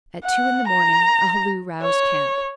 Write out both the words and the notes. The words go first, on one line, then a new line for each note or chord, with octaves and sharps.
At two in the morning a halloo roused camp.
F#5
A#5
C#5